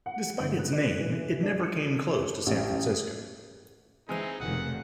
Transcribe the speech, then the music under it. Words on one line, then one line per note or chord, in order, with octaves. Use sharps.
Despite its name, it never came close to San Francisco.
F#5
G1
F#6
D5
E3
D4
C#7
A1
E3 G#3 C4 D#4
F1 B2 D#3 F3 F#5